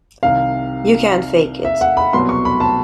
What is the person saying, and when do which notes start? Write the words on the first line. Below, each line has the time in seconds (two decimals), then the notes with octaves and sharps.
You can't fake it.
0.23 C2 C3 D#3 F5
1.65 E5
1.81 F#5
1.97 B5
2.13 C2 B2 F#3 B3 C6
2.29 C#6
2.45 B5
2.60 A5